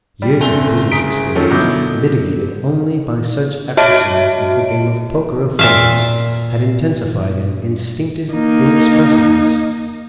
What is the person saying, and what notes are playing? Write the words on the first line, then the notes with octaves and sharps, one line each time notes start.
Years of business experience, mitigated only by such exercise as the game of poker affords, had intensified an instinctive inexpressiveness.
G3
F#1 C4 A4 G#5 F7 G7
F#1 G#4 A#5 D#6 B6 D7
D#3 F3 F#3 C#4 A4
B2 D3 F#3 E4 D6 G6
F#4 C#5 D#5 E5 A5 D7
A#2 E5 F5
A#3 D#4